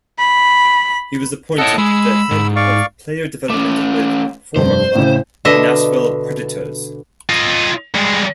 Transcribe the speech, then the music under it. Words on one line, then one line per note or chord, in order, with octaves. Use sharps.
He was appointed the Head of Player Development with former club, the Nashville Predators.
B5
A4 C#5 D#5 F#5 A5
G#3 B5 E6
G#2
D5 F5 C#6
A3 C#4 D6
F1 G2 C5
A2 C#3
B2 D3 D#5 E5
F4 D#5
G2 G#3